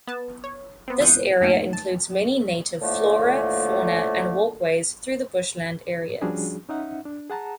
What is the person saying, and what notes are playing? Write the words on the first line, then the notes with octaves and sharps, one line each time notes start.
The area includes many native flora, fauna and walkways through the bushland areas.
B3 A5
C#5
B3 C4
C#2 E3 F4 F#5 D#6 G6
F#2 D#3 A3 A#3
A5
A2 D3 F3 A3 A#3
F3 G3 C#4 D4 F#4 G#4
C#4 D#4 E5 F#5
D4
G#4 F#5 A5 A#5